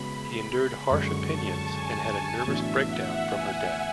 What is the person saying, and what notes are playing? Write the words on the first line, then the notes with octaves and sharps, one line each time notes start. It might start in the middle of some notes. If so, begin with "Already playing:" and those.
He endured harsh opinions and had a nervous breakdown from her death.
Already playing: C#3 G#3 B3 F#4 B5
F#2 D3 G#3 C#6
A5
G#5
A5
A2 E3 B3 D4 F#4 E5
F#5
G#5